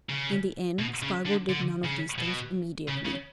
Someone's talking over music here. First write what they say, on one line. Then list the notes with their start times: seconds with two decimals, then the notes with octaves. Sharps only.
In the end Spargo did none of these things immediately.
0.09 C#3
0.79 B2
1.02 C#3
1.26 D3
1.49 D3
1.84 C#3
2.18 B2
2.88 C#3
3.05 C#3